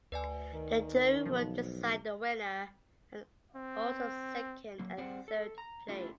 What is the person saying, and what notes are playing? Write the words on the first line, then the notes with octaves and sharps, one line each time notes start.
A jury will decide the winner and also second and third place.
D2 B4 D5 G#5
D#3
B1 F3
C4
F#3 A#3
G3 C4 G#4 C5 D5 F#5
A4
A#5
A3 C#4 D4 E4 F4 G4